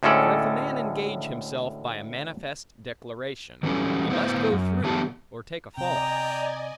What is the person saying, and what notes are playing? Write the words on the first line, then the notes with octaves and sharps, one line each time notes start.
For if a man engage himself by a manifest declaration, he must go through or take a fall.
D2 A2 G#3 C#4 A4 D5
E3 F#3 G3 C#4 A4
A2 B3 E4 F#4 C5 F5
F#2
E3 F#3 A3 B3 G4 A5
C3 D5 D#5 G5 G#5 A#5